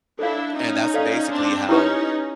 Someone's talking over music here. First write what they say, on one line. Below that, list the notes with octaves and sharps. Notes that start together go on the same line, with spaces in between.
And that's basically how
D4 E4 A4 C#5 F5
C#4 D#4
A4 D5 F5
C4 D4
C#4 D#4 E4 G4 B4